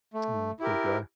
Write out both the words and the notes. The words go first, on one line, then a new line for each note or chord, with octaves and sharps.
No, poor guy.
A3
E4 G4 A#4